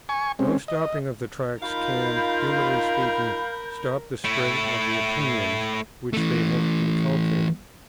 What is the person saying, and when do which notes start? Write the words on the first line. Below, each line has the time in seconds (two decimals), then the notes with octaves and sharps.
No stopping of the Tracts can, humanly speaking, stop the spread of the opinions which they have inculcated.
0.09 G#5 C#6
0.39 G#3 C4 C#4
0.68 D#5
1.62 D#4 F4 A#4 F5 B5 G6
4.24 A3 E4
6.13 E3 A3